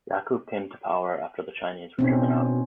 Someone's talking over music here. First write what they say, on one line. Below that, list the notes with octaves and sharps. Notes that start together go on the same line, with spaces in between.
Yaqub came to power after the Chinese were driven out.
B2 C4 C#4 D#4